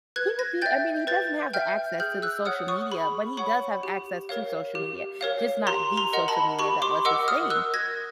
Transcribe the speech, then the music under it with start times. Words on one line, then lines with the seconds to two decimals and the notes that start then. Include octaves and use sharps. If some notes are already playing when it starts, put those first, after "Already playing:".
He would be I mean, he doesn't have the access to the social media, but he does have access to social media, just not the social media that was his thing.
0.16 B4 F#6 G#6
0.39 G#6 A#6
0.61 E5 G5 G6 A6
1.07 B4 G6 A6
1.54 E5 G5 F6 G6
2.00 G#4 F6 G6
2.22 E6 F#6
2.45 C#5 F#5 D#6 F6
2.68 C#6 D#6
2.92 G#4 B5 C#6
3.37 C#5 F#5 B5 C#6
3.83 G4
4.29 A#4 C#5 F5
4.75 G4
5.21 A#4 C#5 F5
5.67 G4 A#5 C6
5.97 A#5 C6
6.13 A#4 D#5 F#5
6.28 A5 B5
6.59 G4 B5 C#6
6.82 C6 D6
7.05 A#4 D#5 F#5 D6 E6
7.28 D#6 F6
7.50 A#4 E6 F#6
7.74 G#6 A#6